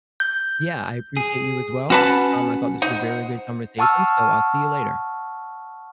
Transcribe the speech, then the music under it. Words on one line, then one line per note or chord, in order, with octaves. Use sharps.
Yeah, I appreciate you as well, um, I thought this was a very good conversation, so I'll see you later.
G6
G#4
C#4 F#4 B4 F#5 A5 B5
D#4 C5 F#5
F#5 A5 C#6 E6 F6